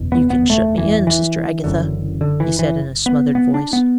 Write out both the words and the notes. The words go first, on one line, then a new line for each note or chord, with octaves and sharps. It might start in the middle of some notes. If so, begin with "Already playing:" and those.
"You can shut me in, Sister Agatha," he said, in a smothered voice.
Already playing: F#1 E2 B2
B3
B3
A3
E3
E3
F#1 F#2 D3
D3
E3
E3
B3
B3
D4
B3